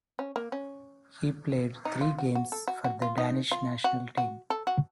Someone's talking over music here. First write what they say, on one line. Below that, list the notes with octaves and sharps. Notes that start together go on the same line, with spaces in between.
He played three games for the Danish national team.
C#4
A#3
C#4
D#4
F4
F#4
F#4
A4
F#4
F#4
F4
D#4
F4
F#4
F#4
A4
F#4